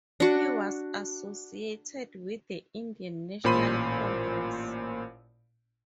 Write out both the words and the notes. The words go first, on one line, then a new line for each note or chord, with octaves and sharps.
He was associated with the Indian National Congress.
D4 F#4
A1 A#2 C5 B5 C6 D#7